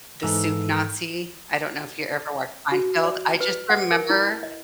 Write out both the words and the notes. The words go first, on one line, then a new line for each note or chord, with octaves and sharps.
the Soup Nazi I don't know if you ever watched Seinfeld. I just remember
G#2 E3 A4 E6
F#4
D5
B4
F#5
A#4
E4
D#5